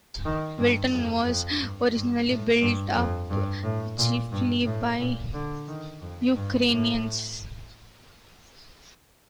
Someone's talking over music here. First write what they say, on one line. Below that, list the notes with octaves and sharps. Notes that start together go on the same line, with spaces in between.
Wilton was originally built up chiefly by Ukrainians.
D#3
G2
F2
F2
G2
G2
A2
G2
F2
G2
A2
A#2
G2
A2
A#2
D3
D#3
F2
G2
A2